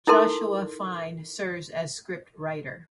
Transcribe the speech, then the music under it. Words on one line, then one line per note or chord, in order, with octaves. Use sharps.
Joshua Fine serves as scriptwriter.
D#4 E4 A4 A#4 C6